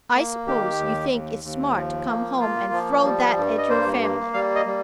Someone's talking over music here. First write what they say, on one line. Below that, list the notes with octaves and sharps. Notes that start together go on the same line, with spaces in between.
"I suppose you think it's smart to come home and throw that at your family!"
A#3
D#3 G4
D#2
D#2
D#2
F3
A#3
A#3 F4
F3
G3
G2
D#5
A#3 C5
A#3
G3 F5
D#5
G3